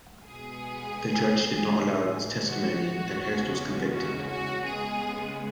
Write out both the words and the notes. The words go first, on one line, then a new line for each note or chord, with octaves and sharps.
The judge did not allow this testimony, and Hearst was convicted.
B2 G#3 B3 G#4
A2 E3 G#3
F#4
E2 C#3 G#3 C#4
F#4
F#4
C#3 G#3 B3 G#4